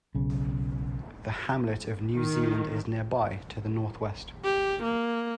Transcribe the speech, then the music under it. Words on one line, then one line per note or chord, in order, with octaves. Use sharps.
The hamlet of New Zealand is nearby, to the northwest.
B1 C#3
D#3
G4
A#3